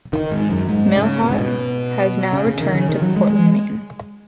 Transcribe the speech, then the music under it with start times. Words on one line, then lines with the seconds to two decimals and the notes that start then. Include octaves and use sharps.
Mailhot has now returned to Portland, Maine.
0.13 D#3
0.31 G#2
0.50 F#2
0.69 G#2
0.96 C#3
1.23 B2
1.30 G#2
1.38 B2
2.33 C#3
2.47 C#3
2.61 D#3
2.75 C#3
2.89 D#3
3.02 F#3
3.16 G#3
3.30 G#3